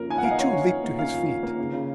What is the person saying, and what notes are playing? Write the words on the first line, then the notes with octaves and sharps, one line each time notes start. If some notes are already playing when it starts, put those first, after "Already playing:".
He, too, leapt to his feet.
Already playing: F2 A#3 C#4 A#4
D#3 G#5
F#5
A#3 F5
D#5
C#4 C#5
F2
D#3
A#3
C#4 F5
F2
D#3
A#3
C#3
C#3